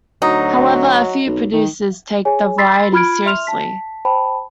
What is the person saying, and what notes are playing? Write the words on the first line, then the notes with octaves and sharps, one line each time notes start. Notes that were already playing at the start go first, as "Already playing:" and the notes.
However a few producers take the variety seriously.
D2 F#3 D#4
B1
D#3
G#4 C#5 G#5
B5 C6 E6 A6 B6 C7
F4 B5 F6 G#6 D7
E5 C6 F6 F7
A5 B6
C5 G5 A5 B5